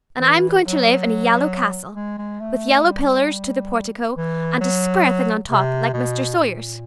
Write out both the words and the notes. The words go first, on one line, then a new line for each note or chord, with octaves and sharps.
And I'm going to live in a yellow castle, with yellow pillars to the portico, and a square thing on top, like Mr. Sawyer's.
E3
F#3
G#3
G#3
A3
G3
E3
F#3
C3
B2
A#2